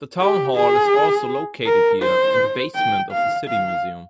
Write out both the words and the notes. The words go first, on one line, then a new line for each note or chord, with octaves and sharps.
The town hall is also located here, in the basement of the city museum.
G4
G#4
A#4
C5
G5
F5
F5